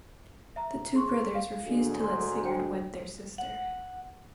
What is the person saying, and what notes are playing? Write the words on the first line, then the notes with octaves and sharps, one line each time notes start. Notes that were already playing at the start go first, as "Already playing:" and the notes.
The two brothers refused to let Sigurd wed their sister.
E5 A#5
G#4 C6 C#6
F5
D2 G#2
C6
C5 G5
F#5